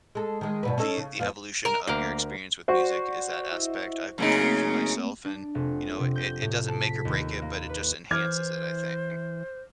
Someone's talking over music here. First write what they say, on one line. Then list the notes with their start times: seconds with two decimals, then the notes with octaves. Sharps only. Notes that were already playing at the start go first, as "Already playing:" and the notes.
The the evolution of your experience with music is that aspect. I've been to a few myself and, you know, it it doesn't make or break it, but it just enhances it, I think.
0.15 G#3 A4
0.41 D#3 G#3
0.63 G2 B2 B4
0.78 C#4 D#4 A4
0.98 C#3
1.20 F2 B3 F4
1.65 A#4
1.87 D2 A#3 A#4
2.68 F#4 C5 D5
3.52 E4 D#5 E5
4.18 F#2 C#3 A3 A#3 C4 D#4
5.25 D4
5.55 F1
5.99 C3
6.15 G6
6.41 A2
6.68 A5
6.89 B6
7.05 D#2
7.42 A#3
7.69 B4
8.11 E3 C5 D6 F6 G#6